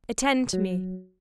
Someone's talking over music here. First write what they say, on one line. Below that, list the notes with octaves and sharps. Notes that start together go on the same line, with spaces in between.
"Attend to me."
F#3